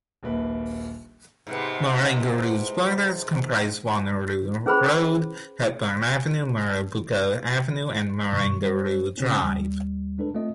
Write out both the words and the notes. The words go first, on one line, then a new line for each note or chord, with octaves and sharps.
Marangaroo's borders comprise Wanneroo Road, Hepburn Avenue, Mirrabooka Avenue and Marangaroo Drive.
D#1 A#1 A#3 B4
G#2 C3 B3
C#4 G#4 B4 C5 B5
F#2 B2 D#3 G3 C#6
G3 C5
C#3 C4 C#4
D#2 G3
G#3 D4 A4 B4
A3 C4 F4 D#5